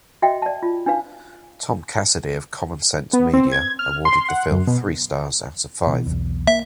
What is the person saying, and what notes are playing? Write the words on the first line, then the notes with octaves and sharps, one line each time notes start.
Tom Cassidy of Common Sense Media awarded the film three stars out of five.
F#4 D#5 E5 G5
D5 A5
F4
D4 D#4 B4 F5
B3
C4
G#6
F6
C6
F#5
F#2
B2
B2 E3
B1 E2
A#3 E5